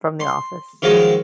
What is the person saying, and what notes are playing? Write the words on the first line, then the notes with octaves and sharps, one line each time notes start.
from the office.
C6
D#3 F3 F#3 G#3